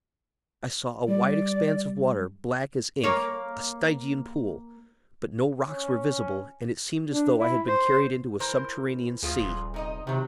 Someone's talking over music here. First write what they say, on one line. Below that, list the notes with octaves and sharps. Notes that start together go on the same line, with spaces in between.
I saw a wide expanse of water, black as ink--a Stygian pool; but no rocks were visible, and it seemed as though I had been carried into a subterranean sea.
G3 D5
A#3 C#5
C#4
D4
E4
C5
E3 A#4 C5
D2 F3 F4 G#4
D#1
C3 D#4 D#5
C3 D#3 F#3